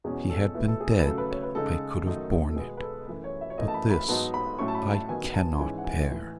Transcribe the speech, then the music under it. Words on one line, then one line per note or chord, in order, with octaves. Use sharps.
'If he had been dead I could have borne it, but this I cannot bear!'
E2 B2 G#3 C#4 G#4
A4
B2 A3 E4 B4
A4
G#4
B4
C#3 F#3 A3 A4
B4
C#5
B4
C#3 G#3 D#4 A4
F#2 D#3 F#3 A3 D#4
A4
B2 G#3 B3 G#4
B4
A4
F#2 E3 A3 B4
C#5
E5
C#5
F#2 E3 A3 D#5
A5
B5
B5
G#2 F#3 B3 D#4 A5
B5
A2 F#3 A3 C#4 C#6
A5
B5
A5
D#3 F#3 B3 G#5
A5
G#2 E3 G#3 C#4 E4 G#5
F#5
G#5
A2 E3 A3 E4